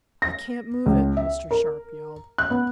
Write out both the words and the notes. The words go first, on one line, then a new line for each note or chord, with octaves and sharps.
"I can't move it!" Mr. Sharp yelled.
A#6
C#2
E5
A#4
F#6
B3